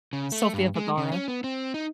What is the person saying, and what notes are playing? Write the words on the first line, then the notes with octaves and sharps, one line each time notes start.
Sofia Vergara.
C#3
A3
G2
G#3
C#3
C#4
B3
C4
D#4